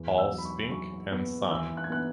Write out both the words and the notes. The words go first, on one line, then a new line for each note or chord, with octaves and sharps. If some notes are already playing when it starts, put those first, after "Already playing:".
All Spink and Son.
Already playing: E2
E6
F#3
B5
C#6
F#3 C#6
B3
E3 E6
F#6
G#6
B3 F#6